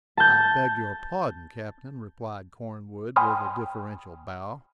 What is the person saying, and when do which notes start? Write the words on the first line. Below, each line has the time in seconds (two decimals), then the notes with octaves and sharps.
"I beg your pardon, captain," replied Cornwood with a deferential bow.
0.17 A5 G6
3.16 G5 G#5 B5 C6 D#6 F6